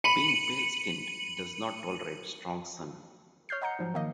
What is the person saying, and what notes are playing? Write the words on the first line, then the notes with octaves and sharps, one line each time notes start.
Being pale-skinned, it does not tolerate strong sun.
B5 C#7 D#7 F#7
C#5 F6 G6 C7
D#5 F#5 A#5 G6 C#7
G#2 F3 F#3
D#3 A#3 D#5